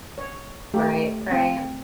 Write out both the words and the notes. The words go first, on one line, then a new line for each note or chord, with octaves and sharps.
Right, right.
C#5
A3 G4
C4